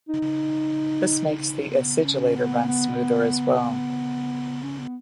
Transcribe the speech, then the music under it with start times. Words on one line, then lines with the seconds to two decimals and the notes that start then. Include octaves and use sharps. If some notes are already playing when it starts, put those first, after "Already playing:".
This makes the acidulator run smoother as well.
0.09 D#4
1.38 D#4
1.71 B3
2.03 C#4
2.35 B3
2.68 B3
4.63 C#4
4.79 B3